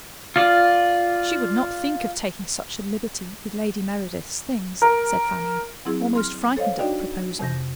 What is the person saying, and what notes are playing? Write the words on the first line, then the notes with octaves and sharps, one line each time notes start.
"She would not think of taking such a liberty with Lady Meredith's things," said Fanny, almost frightened at the proposal.
F4 D5
A#4
F#3 C4 E4 G#4
C6 F6
A4 C5 C#5 D#5 F5
D4 D#4 F#4 D5 D#5 G5
F2 C3 G6 A#6